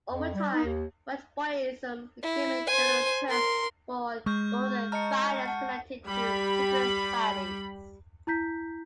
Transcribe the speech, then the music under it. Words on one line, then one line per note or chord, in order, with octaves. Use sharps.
Over time, "Whiteboyism" became a general term for rural violence connected to secret societies.
F2
G3
D#4
D#2
E4
C5 G#5
A#4 C6
G#3 C#6 F6 G6
D#5 A5 A#5 F6 C#7
F#5 A5
G3 B5
E4 A#5 G6 B6